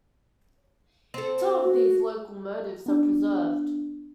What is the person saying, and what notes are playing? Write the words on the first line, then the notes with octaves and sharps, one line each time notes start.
Two of these locomotives are preserved.
C4 A4
F#4
B3 D4